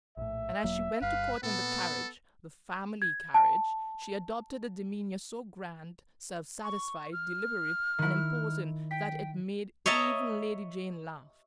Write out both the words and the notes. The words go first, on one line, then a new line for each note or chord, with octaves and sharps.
And as she went to Court in the carriage, the family carriage, she adopted a demeanour so grand, self-satisfied, deliberate, and imposing that it made even Lady Jane laugh.
A#1 A2 E5
E1 F#3 A#3
G1 G2 B4 F5
A#2 B3 A4
G#6
A5
C#6
F6
D#3 E4
G5 B6
C#5 D#5 E5 A5 A#5